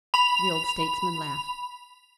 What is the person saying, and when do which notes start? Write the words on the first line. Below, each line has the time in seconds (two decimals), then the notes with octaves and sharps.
The old statesman laughed.
0.14 B5 F7